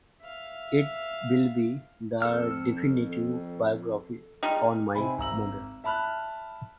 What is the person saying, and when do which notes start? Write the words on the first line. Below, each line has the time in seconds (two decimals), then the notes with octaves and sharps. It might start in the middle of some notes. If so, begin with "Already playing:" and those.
It will be the definitive biography on my mother.
0.22 E5 F5
2.22 F2 A4 E6 F6
4.43 G3 G#3 D#4 F4
4.95 C3 C4 D#4 G#5 B5
5.18 G#1 A#5 E6 F#7
5.84 E5 A5 B5 F6 F#6